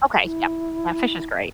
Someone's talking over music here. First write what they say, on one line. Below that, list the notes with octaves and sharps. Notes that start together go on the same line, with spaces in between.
Okay, yep. Yeah, fish is great.
E4